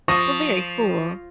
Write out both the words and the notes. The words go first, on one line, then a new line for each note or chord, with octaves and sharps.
Well, very cool,
F3 C#6 D#6 A#6